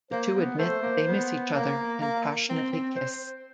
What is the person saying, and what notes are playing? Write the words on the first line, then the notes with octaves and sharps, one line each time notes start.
The two admit that they miss each other and passionately kiss.
A#3 C5
B3
A3 C5
A#3
B3
A#3
A#3
C4
C4
C5